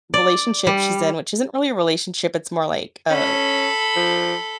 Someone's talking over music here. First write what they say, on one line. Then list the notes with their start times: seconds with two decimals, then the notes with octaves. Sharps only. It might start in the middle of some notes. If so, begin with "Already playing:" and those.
relationship she's in, which isn't really a relationship, it's more, like, uh,
0.14 D5
0.67 G3
3.10 C#4 A4 B5
3.96 F3